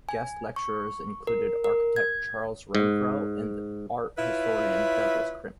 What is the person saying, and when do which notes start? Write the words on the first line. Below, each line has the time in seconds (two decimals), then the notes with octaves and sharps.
Guest lecturers included architect Charles Renfro and art historian Douglas Crimp.
0.09 G#5
0.56 C#6
1.27 A#4
1.64 A#4
1.96 G#6
2.75 G#2
4.18 E4 F4 B4 C#5 E5